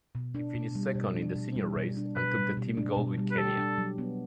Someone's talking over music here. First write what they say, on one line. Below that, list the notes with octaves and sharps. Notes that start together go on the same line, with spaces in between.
He finished second in the senior race and took the team gold with Kenya.
B2
D4
B2
G3
B2
D4
B2
G3
B2
D4
B2 B4
G3
B2
D4
B2
G3
B4
G4 A4
D4
F#3
B3